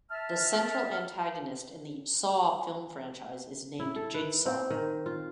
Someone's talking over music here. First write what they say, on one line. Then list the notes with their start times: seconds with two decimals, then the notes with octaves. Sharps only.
The central antagonist in the "Saw" film franchise is named Jigsaw.
0.11 E5 A5 F6
3.80 E4
3.96 A4
4.15 B4
4.46 C4
4.70 D#3
5.06 F4